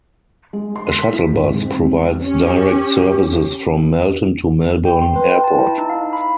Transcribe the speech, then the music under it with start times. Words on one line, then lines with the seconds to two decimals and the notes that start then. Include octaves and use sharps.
A shuttle bus provides direct services from Melton to Melbourne Airport.
0.53 G#3
0.76 C6
0.99 B6
1.13 E4
1.33 G#1
1.54 G#3
1.66 C4
2.23 C#4 G4
4.85 G5
5.02 C6
5.16 B4
5.31 G5
5.44 A5
5.59 E4
5.78 D#4
5.90 F5
6.13 B5